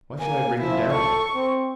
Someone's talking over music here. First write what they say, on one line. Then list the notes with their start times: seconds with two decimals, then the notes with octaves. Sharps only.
Why should I bring it down?
0.20 A#3 G#5
0.61 F3 E4
0.93 A4 C#6
1.35 C4